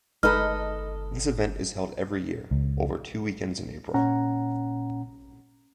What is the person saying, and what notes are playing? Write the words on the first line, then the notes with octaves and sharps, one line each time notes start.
This event is held every year, over two weekends in April.
G1 G#3 D#4 A4 B4 D#5 F6
C#2
A#2 C#4 F#5 A#5